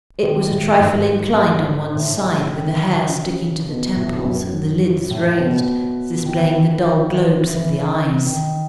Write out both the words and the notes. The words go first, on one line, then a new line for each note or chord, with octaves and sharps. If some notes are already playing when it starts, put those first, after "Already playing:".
It was a trifle inclined on one side, with the hair sticking to the temples, and the lids raised, displaying the dull globes of the eyes.
D#3
A2
G#2
A2
D#3
D#3
D#3
C#3
B2
A2
F#2
A2
B2
D#3
E3
D#3
E3
E3
E3
E3
D#3